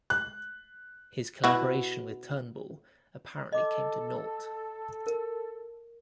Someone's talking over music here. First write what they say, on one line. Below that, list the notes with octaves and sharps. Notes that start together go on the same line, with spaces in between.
His collaboration with Turnbull apparently came to naught.
F#6
B2 E4 F#4
A4 D#5 D6
A#4